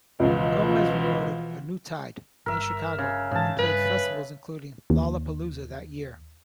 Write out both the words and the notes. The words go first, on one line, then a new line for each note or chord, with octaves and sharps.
Gomez recorded "A New Tide" in Chicago, and played festivals including Lollapalooza that year.
C#2 B2 E3 F3
G1 A#4 E5
C#3
G#2 C#3 E3 A5
G2 B4
D#2